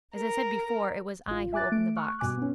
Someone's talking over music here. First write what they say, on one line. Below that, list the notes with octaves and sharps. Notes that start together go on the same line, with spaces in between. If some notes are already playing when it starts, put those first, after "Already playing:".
As I said before, it was I who opened the box.'
A#4
A1 F4
E5 G#5 D6 F#6 A6
A3 D7
C#6 F6 F#6
G2 B2 G#5 D6 F#6
B3 C#4